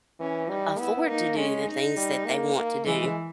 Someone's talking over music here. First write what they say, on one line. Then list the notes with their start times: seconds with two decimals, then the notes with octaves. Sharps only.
afford to do the things that they want to do.
0.20 E3 C#4
0.48 G3 D#4
0.79 B3 E4
1.07 A#3 D#4
1.37 G#3 C#4
1.66 D#4
1.97 G3
2.25 A#3
2.56 A#3
2.85 E3 G#3